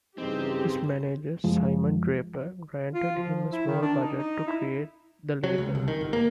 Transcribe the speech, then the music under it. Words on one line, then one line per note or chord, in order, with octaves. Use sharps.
His manager, Simon Draper granted him a small budget to create the label.
G2 C#3 E3 C4 D#4 G4 G#4 C5
F#2 F3 G#3
F4
F3
E4
D#3
D4
D#4
D#4
E4
F#3
C#2
C2
D#3
G1
A#3